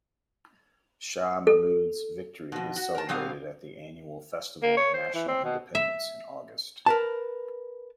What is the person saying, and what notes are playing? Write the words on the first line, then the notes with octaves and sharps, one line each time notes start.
Shah Mahmud's victory is celebrated at the annual festival of national independence in August.
A4
F2 B2
F#4
A#4 A5
B2 G3 C4 G#4 F5
A#3
C#5
C5
E3
C4
B2
E5
A#4 B4 A5